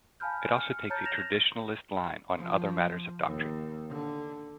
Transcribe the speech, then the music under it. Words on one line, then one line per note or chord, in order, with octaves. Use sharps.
It also takes a traditionalist line on other matters of doctrine.
F5 G#5 A5 B5 F6 G6
F6 C#7
C#5 A5 A#5 F6 G6 A6
F6 G6 A6 A#6 E7 F7
F3
D#2
D3